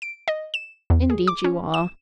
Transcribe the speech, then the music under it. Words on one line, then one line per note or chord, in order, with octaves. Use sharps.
'Indeed you are.
D7
D#5
E7
E2
G#4
D6
C#4
E7